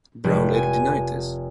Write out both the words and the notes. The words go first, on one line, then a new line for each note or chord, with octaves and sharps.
Brown later denied this.
F1
G#5